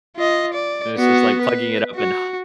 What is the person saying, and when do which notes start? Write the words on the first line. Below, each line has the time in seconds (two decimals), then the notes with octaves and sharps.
this is like plugging it up and h
0.16 F4 D#5
0.54 D5
0.97 B3 F#4
1.42 B4
1.95 F#4